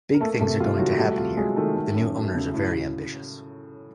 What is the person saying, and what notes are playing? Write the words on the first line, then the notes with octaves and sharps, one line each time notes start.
Big things are going to happen here - the new owners are very ambitious.
A#4
A3 A#3 A4
C3 A3 A4
G3 F4
D#3 F#3 F#4
G3 A3 G4
F#4
C3 F4
F#3 G#3 G#4
D#3 A3 A4
A3
F#2
F#3
C#3
A2
A2